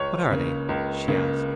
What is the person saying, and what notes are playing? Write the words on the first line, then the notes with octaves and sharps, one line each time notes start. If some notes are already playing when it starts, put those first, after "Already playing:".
"What are they?" she asked.
Already playing: C#2 C#5
C#3 A#3
C#2
C#3 A#3